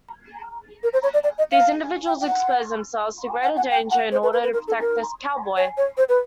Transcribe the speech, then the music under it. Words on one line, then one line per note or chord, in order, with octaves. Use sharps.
These individuals expose themselves to great danger in order to protect the cowboy.
A#4
C5
C#5
D5
D5
D#5
F5
G5
G5
F#5
F#5
F#5
G5
F#5
C5
B4
B4
B4
A#4
A4
A#4
C#5
C#5
C5
B4